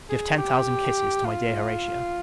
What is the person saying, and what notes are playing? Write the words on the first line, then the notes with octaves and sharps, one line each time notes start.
Give ten thousand kisses to my dear Horatia.
G#4
G4
F4